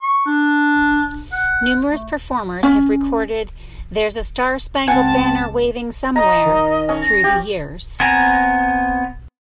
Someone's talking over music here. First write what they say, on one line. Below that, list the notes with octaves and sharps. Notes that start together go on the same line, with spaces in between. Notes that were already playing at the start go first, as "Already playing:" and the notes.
Numerous performers have recorded "There's a Star-Spangled Banner Waving Somewhere" through the years.
C#6
D4
F#5
A3
C#4
C#2 C4 F#5 G#5 A5
D#5 A#5
D#3
C#4
A#6
G4
B3 C4 G#5 A#5